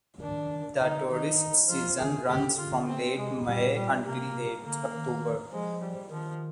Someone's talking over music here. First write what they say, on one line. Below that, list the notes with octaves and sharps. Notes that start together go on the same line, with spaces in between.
The tourist season runs from late May until late October.
D#3 D4
D3 D#4
D#3 D#4
F3 F4
D#3 G#4
D3 G4
D3 F4
C4
C3 G#3
A#2 G3
G3
C3 A#3
D3 A#3
D#3
F3 G#3
G3
D#3 F3